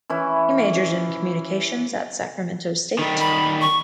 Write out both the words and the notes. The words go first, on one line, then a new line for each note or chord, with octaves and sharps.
He majored in communications at Sacramento State.
E3 C#4 E4
D#3 G3
B5
C#6